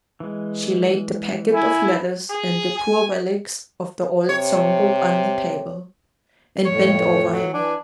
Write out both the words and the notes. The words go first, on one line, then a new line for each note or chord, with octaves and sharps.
She laid the packet of letters and the poor relics of the old song-book on the table, and bent over him.
E3 G#3
E4 G#5
G#4
G#5
C3 C#5
F2 A2 C#5
F#3
E3 D4 G#5